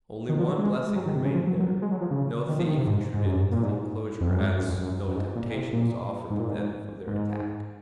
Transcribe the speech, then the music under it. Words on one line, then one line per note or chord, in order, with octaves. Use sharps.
Only one blessing remained there--no thief intruded into the enclosure, as no temptation was offered to them for their attack.
D#3
F3
F#3
G#3
G#3
F#3
D#3
C3
C#3
F3
F#3
F#3
G#3
F#3
F3
C#3
D#3
F3
D#3
C3
G#2
G#2
F#2
A#2
G#2
F2
F#2
G#2
F#2
F2
F#2
F#2
G#2
A#2
A#2
C3
A#2
G#2
A#2
G#2
G#2